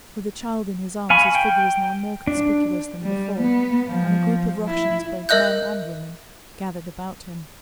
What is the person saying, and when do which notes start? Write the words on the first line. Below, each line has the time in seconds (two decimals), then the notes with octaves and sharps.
With the child in his arms his figure was now more conspicuous than before, and a group of Russians, both men and women, gathered about him.
1.10 F5 G#5 B5 C#6
1.35 G5
2.27 D4
3.01 G3
3.41 B3
3.88 F3
4.68 E4
5.29 A#4 D#5 E5 F#6 G6